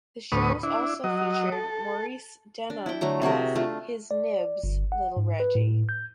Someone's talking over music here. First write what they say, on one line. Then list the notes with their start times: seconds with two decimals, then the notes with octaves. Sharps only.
The shows also featured Maurice Denham as "His Nibs" Little Reggie.
0.32 D2 A2 B4 C#6 D#6
0.63 D4 E4
1.04 F#3 D#5
1.52 A4
2.70 D4
2.86 E4 G5
3.01 D3 F#3 A3 A#5
3.21 C3 F#4 G#4 A#4
3.55 A3 D4 F4
4.11 D5
4.64 G1
4.92 F#5
5.17 G#2
5.40 B4
5.55 A2
5.89 G6